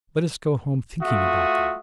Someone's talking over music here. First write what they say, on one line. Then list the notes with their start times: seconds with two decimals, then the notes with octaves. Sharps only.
Let us go home thinking about that.
1.02 A3 F4 F#4 E5 D#6